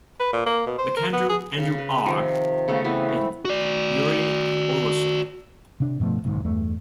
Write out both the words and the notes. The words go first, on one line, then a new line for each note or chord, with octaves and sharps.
MacAndrew, Andrew R., and Yuri Olesha.
B4
A#2
A#3
B2
C5
A#4
B3
G#4
C#3
B4
C3 D#3 F3
C#3 A3 B3
C#3 E3 B3 C4
C4
F#4 D5
C3 D4
G2 B2 F3 A3
F#1 B1 G#2 D#3
E2 G2 A3